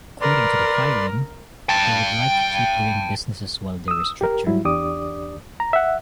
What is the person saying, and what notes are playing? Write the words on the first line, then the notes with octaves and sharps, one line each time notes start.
According to the filing, they would like to keep doing business while they restructure.
A#4 B4 D5 C6
G5 A5
D#6 E6
G4 A#4
G#2 F#3 G3 E4
E2 D4 G4 D5 D6 D#6
A#5
E5 F#5